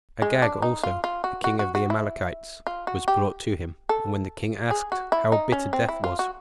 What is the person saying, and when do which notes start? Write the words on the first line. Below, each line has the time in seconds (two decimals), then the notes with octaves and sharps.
Agag also, the king of the Amalekites, was brought to him; and when the king asked, How bitter death was?
0.22 G#3
0.42 D4
0.62 D#4
0.83 F4
1.04 F4
1.24 F#4
1.44 F#4
1.59 F#4
1.75 F#4
1.90 E4
2.67 F4
2.87 F#4
3.08 G4
3.89 A4
4.71 G#4
4.92 F#4
5.12 E4
5.32 D#4
5.52 C#4
5.73 C4
5.89 E4
6.04 F4
6.19 F#4